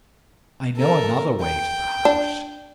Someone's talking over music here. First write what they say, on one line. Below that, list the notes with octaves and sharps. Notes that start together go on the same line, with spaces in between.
I know another way to the house.
A4 A#4
G5
D4